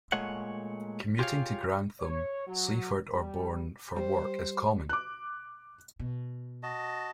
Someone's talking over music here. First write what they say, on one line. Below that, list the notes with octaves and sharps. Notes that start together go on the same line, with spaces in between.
Commuting to Grantham, Sleaford or Bourne for work is common.
A#2 G#3 A3 C#5 F#5
F4 G4 G#4 C#5 F5
C#5
F#3
G3
G3 C5
D6 F#6
B2
F#4 D#5 A5